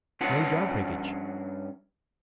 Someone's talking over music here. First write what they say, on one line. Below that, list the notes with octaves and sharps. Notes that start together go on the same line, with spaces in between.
No jar breakage.
G2 C#4 F4 F#5 A5